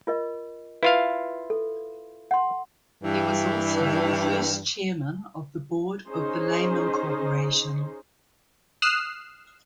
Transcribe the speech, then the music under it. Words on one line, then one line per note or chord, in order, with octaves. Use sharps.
He was also the first chairman of the board of the Lehman Corporation.
F4 A#4 D#5
E4 F4 B4 F5
A4
F#5 C6
G2 E3
C#4 D#4 G#4 C5
D#6 F6 F#6 C7 E7